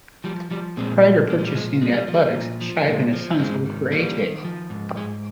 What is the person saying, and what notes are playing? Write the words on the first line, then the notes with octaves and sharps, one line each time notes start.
Prior to purchasing the Athletics, Shibe and his sons worked for A. J.
F3 G3
F3 G3
A#2 G#3 C4
F3
A#2 A#3
G#3
G3
F3 G#3
F3 G#3
G3
F3
G3
A#2
F3
A#2 G#3
F3
G#2 G#3 C4
D#3
D#3 G3 A#3
D#3
F3
G#2
G#2 G#3